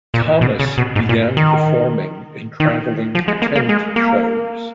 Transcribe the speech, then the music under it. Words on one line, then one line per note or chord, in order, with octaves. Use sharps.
Thomas began performing in traveling tent shows.
A#2
B2
C#3
B2
G#2
A#2
D#3
D#3
F3
G#3
A#3
A#3
G#3
A#3